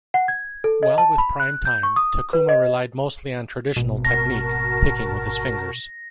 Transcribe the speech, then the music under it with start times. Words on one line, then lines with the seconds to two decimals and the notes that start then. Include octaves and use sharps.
While with "Prime Time", Tacuma relied mostly on traditional technique, picking with his fingers.
0.14 F#5
0.28 G#6
0.64 A4
0.83 D#5
0.98 A5
1.18 B5
1.40 F#6
1.65 G6
1.83 C#6
1.96 D#6
2.33 B4
2.49 D#5
3.76 G#1 B2
4.05 F#4 A#4 A5 A#6